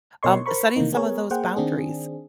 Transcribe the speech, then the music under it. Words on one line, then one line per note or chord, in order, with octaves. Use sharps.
Um, setting some of those boundaries
B2 A#4 C#5 D#5 C6 C#6
A#4 C5 B5 C#6
C3 D#3 E3 A#3 D#4
B3 G#4 A#4 C#5
A#3 G#4 C5 F#5 G5
D#3 C4 D4 G#4